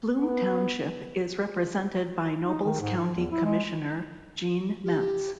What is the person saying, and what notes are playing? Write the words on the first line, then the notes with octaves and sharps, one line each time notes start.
Bloom Township is represented by Nobles County Commissioner Gene Metz.
B3
D#4
D#3
G#2
F3
E2
E4
G#3
G4